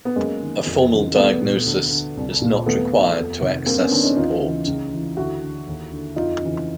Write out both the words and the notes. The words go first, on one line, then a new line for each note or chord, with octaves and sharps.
A formal diagnosis is not required to access support.
B3
F#2 G#3 A#3
D#3
F2
C#3 E3
C2 A3 B3
A#2
D2
D3
C2
A#2
D#2 A3 B3
D#3
F2
C3 D#3
G2 A#3 C4
B3 C#4
D#3 C4 D4
C#4 D#4
D#2 D#4 F4
C#3 E3
C#2
C#3 E3
D2 E4 F#4
D3
D#2
D3
F2 D#4 F4
C#3 E3